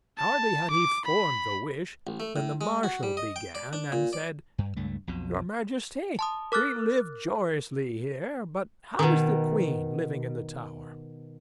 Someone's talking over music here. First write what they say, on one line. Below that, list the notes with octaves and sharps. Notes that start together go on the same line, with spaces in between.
Hardly had he formed the wish than the marshal began, and said: 'Your majesty, we live joyously here, but how is the queen living in the tower?
A5
D6
B5
A1
A3
A2
G#3
F#4
G3
D#5
G5
D5
D4
A#2
D5
G2
C#2 G2 A3
B1 F2 B2
A5 C6 D#6
A#4 D6 F6 F#6 A6
B2 D#3